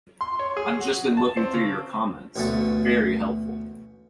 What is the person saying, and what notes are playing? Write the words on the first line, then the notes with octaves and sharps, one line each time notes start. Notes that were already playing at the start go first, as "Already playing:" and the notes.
I've just been looking through your comments; very helpful.
C6
C#5
G#4
F#4
A5
C4
C#3
A1 D2 B2 A3 A5